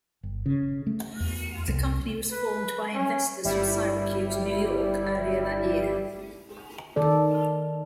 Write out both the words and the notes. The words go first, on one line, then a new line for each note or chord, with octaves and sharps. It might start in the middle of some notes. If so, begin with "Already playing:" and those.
The company was formed by investors from Syracuse, New York, earlier that year.
G1
C#3
A3
E2
C2
B4
C#4
G1 G3 E4
D#3 A4 D5